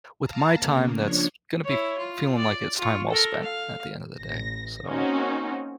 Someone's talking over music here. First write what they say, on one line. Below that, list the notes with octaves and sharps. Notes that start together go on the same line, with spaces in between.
with my time that's gonna be feeling like it's time well spent, at the end of the day?" So
F5 A5 A#5
C#3 A#3
F3 D4 C#5
E4 C#5
F4
D5
F4 C#6
A4 A#4
F5
A1 A#6
A#3 C4 C#4 D#4 F#4